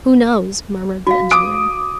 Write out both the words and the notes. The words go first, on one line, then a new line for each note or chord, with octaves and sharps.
"Who knows?" murmured the engineer.
F#4 F5
D6 D#6 D7